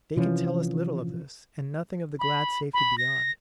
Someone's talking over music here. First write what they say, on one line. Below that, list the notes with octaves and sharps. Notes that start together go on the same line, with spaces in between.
They can tell us little of this, and nothing of the glad safety beyond.
C3 E3 F3 C#4
B5
B5
A#6